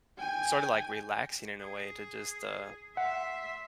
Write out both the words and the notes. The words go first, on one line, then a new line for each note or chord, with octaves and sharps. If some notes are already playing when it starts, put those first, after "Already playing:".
sorta, like relaxing in a way to just, uh
G5 G#5
G#4
E5 F#5 C6